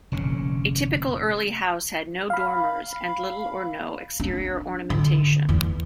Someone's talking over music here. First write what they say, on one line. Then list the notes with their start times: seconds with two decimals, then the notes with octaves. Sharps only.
A typical early house had no dormers and little or no exterior ornamentation.
0.12 F1 A#2 D3 C#4
2.30 F5 B5
4.20 D4
4.90 D3
5.49 E2